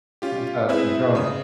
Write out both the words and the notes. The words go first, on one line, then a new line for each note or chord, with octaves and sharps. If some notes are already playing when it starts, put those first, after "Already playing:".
That's out of control.
C#4 F4 G4
C4 E4 G#4 B4 E5
C#3 D#6